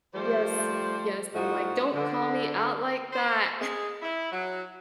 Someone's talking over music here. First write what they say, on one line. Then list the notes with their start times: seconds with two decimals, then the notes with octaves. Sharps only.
Yes. Yes. I'm like, "Don't call me out like that."
0.15 F3 G3 A3 C5
1.35 A2 F3 D#4 F#4
1.95 D3
3.12 C5
3.60 G#3
4.02 E4
4.32 F#3